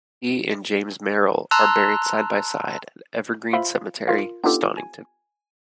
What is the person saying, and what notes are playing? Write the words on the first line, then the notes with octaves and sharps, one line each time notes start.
He and James Merrill are buried side by side at Evergreen Cemetery, Stonington.
A5 A#5 C6 E6 F#6
F4 C5 E5 F5 B5 C6
F4 A#4 F5
B3 D4 D#4 F4 G4 A4
G#5